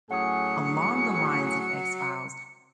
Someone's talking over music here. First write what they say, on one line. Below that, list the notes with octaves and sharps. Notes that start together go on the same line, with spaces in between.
along the lines of X-Files.
A2 F#3 C#4 G#4 F#5 G#5 D#6 C#7